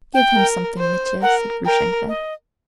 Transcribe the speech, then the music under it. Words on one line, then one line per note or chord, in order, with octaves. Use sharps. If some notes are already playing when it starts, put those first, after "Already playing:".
"Give him something, Mitya," said Grushenka.
G5
A#4
C5
A#4 F#5
A#4 G5
D#5